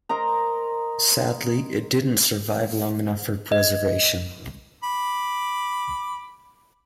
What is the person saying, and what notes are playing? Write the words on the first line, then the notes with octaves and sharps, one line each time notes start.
Sadly, it didn't survive long enough for preservation.
A#4 C5 D#5 A#5
D#5
B5 D6